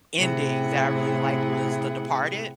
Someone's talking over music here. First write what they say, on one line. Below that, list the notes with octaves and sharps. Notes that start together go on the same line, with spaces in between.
ending that I really like was The Departed.
A2 C3 E4 G#4 F#5 G5